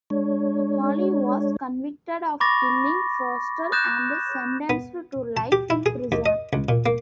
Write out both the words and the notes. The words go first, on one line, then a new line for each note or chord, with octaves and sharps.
Acoli was convicted of killing Foerster and sentenced to life in prison.
G#3 D4 C#5
B5 C#6 D6 A6 A#6
D#6 F#6 G6 A6 A#6 E7
B3
A5
G4
E4
G#4
D#2
D#5
C#2
A#2
A#3